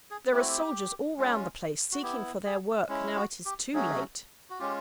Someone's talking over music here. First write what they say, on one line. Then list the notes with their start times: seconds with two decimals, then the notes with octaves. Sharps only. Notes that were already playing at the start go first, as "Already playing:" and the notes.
There are soldiers all round the place, seeking for their work now it is too late.
0.11 G#4
0.32 A3 C4 E4 G4
0.40 F#4
0.48 G4
1.17 G#3 C#4 F4
1.92 F#4
2.02 B3 E4 G4
2.45 G#4
2.88 G#3 C#4 E4
3.16 F#4
3.46 G4
3.73 F#3 A3 C#4 F#4 G#4
4.50 F#4
4.59 G#3 C#4 F4 G4